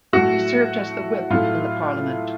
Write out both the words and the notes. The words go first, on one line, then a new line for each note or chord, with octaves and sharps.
He served as the whip in the Parliament.
A2 F#3 A3 F#4
A2 F#3 A3 F4